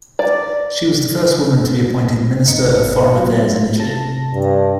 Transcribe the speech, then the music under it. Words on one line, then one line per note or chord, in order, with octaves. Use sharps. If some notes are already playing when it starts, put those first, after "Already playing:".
She was the first woman to be appointed Minister of Foreign Affairs in Italy.
D5
G#1 D#4 C#7
F#3 B3 F4
C3 A5 A#6
G2